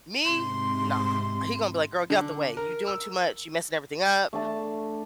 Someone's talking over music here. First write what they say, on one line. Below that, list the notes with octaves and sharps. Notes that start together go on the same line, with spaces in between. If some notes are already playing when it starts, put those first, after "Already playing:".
me? Nah. He gonna be like, "Girl, get out of the way. You doin' too much, you messing everything up.
G#2 C3 C6
D3
A#4
E6
A3 D4 A5